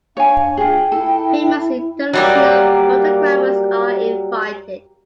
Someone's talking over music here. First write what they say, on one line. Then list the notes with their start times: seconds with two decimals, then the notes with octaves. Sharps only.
Famous international photographers are invited.
0.17 D4 C#5 F5 G#5
0.57 F4 G#4 G5
0.92 E4 A4
2.13 F#3 G3 A#3